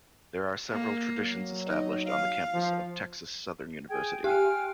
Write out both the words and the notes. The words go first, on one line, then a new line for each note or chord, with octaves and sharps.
There are several traditions established on the campus of Texas Southern University.
A#3
F#3
D#4
F5
F3
G#4 G5 G#6
G4 G5 G#5 F6